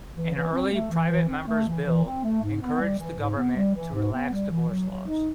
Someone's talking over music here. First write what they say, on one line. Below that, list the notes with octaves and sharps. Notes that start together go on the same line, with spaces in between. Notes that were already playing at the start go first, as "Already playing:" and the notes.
An early private member's bill encouraged the government to relax divorce laws.
E3
E3
C4
A3
E3
E3
C4
A3
E3
E3
C4
A3
G#2
B3
G3
E3
G#2
B3
G3
E3
G#2
B3
G3
E3
F#3
F#3
D#4